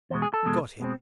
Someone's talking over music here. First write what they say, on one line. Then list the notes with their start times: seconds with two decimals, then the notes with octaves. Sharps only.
Got him!
0.10 E2 C5
0.13 B2 G#3
0.22 G#4
0.34 A4
0.45 E2 B2 G#3
0.80 B2 G#3 C4